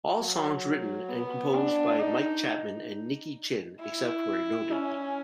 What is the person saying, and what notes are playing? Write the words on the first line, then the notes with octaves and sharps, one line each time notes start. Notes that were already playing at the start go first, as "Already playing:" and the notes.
All songs written and composed by Mike Chapman and Nicky Chinn except where noted.
F#3
B3
D4
D#4
E4
C#4